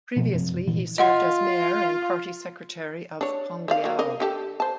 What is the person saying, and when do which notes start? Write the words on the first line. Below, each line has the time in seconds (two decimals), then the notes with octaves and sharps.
Previously he served as mayor and party secretary of Tongliao.
0.16 B2 F3 A#3
0.33 F#2 C3 F3
0.67 A#2 E3
0.98 F4 D#5 F#5 C6
3.21 D4 C#5
3.68 C5 D5 F5
3.84 F#3 A#3
3.99 D4 A#4 D#5
4.20 D3 G4 A4
4.60 C5 A5